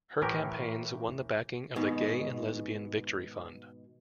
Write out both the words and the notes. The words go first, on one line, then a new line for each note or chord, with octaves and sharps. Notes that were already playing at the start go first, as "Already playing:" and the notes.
Her campaigns won the backing of the Gay and Lesbian Victory Fund.
A2 E3 G4 A#4 G5
G#2 B2 D#3